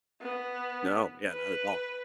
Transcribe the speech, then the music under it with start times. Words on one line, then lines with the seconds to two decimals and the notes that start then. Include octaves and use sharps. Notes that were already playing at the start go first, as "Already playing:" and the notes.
No, yeah, not at all.
0.22 B3
1.30 B4